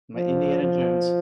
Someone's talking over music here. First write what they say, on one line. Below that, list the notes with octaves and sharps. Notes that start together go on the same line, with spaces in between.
My Indiana Jones.
F3
F3